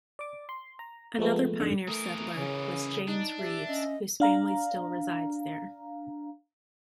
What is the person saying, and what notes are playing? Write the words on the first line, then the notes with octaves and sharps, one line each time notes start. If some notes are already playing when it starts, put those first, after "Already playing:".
Another pioneer settler was James Reaves, whose family still resides there.
D5 D6
C6
A#5
F3 G#3 A3 B3
F2 G#2 D3
E3 A3 A#4 D#6
C#3 C#4
D4 D#4
G4 E5
C#4 D#5
D4 F5 A#5